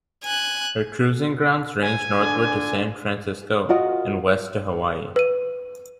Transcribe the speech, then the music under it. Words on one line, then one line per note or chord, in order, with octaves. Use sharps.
Her cruising grounds ranged northward to San Francisco and west to Hawaii.
G#5 F#6
G#5
D3
F4 F#4 A#4 D#5
B4 D#7